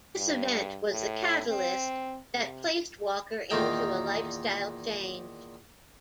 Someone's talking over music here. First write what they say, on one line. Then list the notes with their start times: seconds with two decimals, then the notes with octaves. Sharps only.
This event was the catalyst that placed Walker into a lifestyle change.
0.17 G2
0.91 A2
1.49 C4
2.36 C3
3.51 E2 A#2 D#3 D#4 G5